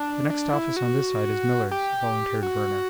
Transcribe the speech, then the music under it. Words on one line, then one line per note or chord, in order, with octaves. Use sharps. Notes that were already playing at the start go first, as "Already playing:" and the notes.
"The next office on this side is Millard's," volunteered Werner.
Already playing: D4
D4
E4
F#4
G4
F#4